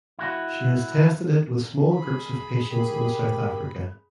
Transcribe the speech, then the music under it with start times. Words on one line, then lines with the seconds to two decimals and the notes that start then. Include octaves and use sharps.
She has tested it with small groups of patients in South Africa.
0.19 E4 F#4
1.93 G#4 B5
2.71 G4 A#4